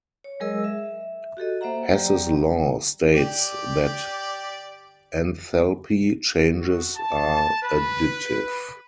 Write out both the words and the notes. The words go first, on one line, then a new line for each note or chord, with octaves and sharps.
Hess's law states that enthalpy changes are additive.
C#5
F#3 G#3 G#4 A#4 D#5 E6
E5
F#4 G4 A4 D#5
A#3 C5 E5 F#5 A#5
F#3 G4 D5 G5 A#5
G4 D5
F#4
A5
B4